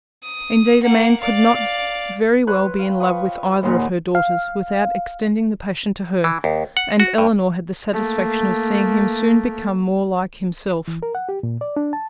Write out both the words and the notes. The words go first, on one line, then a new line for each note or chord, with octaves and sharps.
Indeed a man could not very well be in love with either of her daughters, without extending the passion to her; and Elinor had the satisfaction of seeing him soon become more like himself.
D#6
A#3 F#5
D5 F5
B4 C#5 C6 F#6
F5 G5
F3 B4 C#6 D#6
D#2 A#2 G#3 F#5
F5
E3
D#2
F#5
F#4
G2
A3 A#3
E3
A#4
F#5
G4
A#2
D5
D4
A5